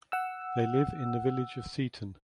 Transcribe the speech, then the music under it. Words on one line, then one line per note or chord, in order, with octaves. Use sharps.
They live in the village of Seaton.
F#5 E6